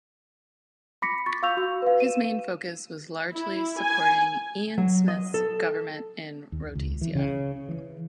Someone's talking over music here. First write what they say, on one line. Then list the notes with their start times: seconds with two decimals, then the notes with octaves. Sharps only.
His main focus was largely supporting Ian Smith's government in Rhodesia.
1.02 B5 D6 A#6 B6 C#7
1.26 C#6 A6
1.43 F5 C#6 E6 G6 F7
1.57 F#4 E6
1.82 B4 F5
2.00 D#7 E7
3.33 E4
3.80 G#5
4.78 F#3
5.08 D#5
5.34 A4
6.52 D#2
6.75 C#2
7.01 E3
7.15 C#3
7.68 E3